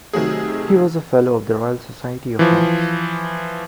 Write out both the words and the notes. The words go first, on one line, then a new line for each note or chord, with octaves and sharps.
He was a Fellow of the Royal Society of Arts.
C3 D#3 F#3 A3 G#4
E3 F3